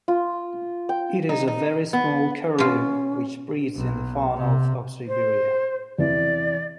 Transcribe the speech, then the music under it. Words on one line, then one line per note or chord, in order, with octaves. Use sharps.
It is a very small curlew, which breeds in the far north of Siberia.
F4
G5
D#4
D#4
B3
B2 C#4 F4
B1
C3
C5
E2 C3 E3 D5